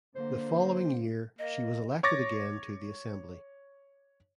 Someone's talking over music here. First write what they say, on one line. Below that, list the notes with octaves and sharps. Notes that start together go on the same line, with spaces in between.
The following year she was elected again to the Assembly.
D3 A#3 C5
A#3 D#5
C#5 C#6 D6 A6 A#6